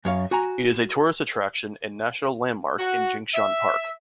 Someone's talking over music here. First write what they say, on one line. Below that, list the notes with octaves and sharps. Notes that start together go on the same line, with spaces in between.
It is a tourist attraction and national landmark in Jingshan Park.
F#2 C#5 F5
F#4 G#5 A#5
F#4
E5